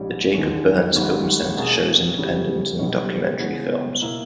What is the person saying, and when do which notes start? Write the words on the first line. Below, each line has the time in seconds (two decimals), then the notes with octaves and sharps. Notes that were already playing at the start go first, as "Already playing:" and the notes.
The Jacob Burns Film Center shows independent and documentary films.
Already playing: A#1 G#2 G3 C#4 G4
0.34 E1 D#2 D#3 G#3 C#4
0.95 G#1 G#2 G3
1.57 B2 A#3 C#4 G#4
2.18 C#3 E3 G3 C#4
2.79 B1 B2 G3 C#4
3.40 C#3 E3 G#3 B3
4.01 B2 A#3 E4